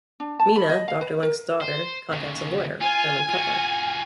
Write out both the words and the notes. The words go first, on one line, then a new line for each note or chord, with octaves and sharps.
Mina, Doctor Link's daughter, contacts a lawyer, Thurman Cutler.
D4
A5
B5
D#5
F5
B4
A#4
C5
D#2 C#3
F4 G#5
F4 F#4